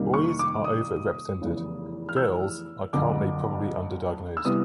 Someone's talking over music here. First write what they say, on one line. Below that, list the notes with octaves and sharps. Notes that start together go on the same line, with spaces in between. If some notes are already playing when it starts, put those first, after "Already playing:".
Boys are overrepresented; girls are currently probably underdiagnosed.
Already playing: F2 C3 D#3 G3 A#3
C#6
D6
D#6
F1 E2 C#3 E3
F6
E6
F#1 F2 D3 D6
E6
C3 E3 G3 B3 D#6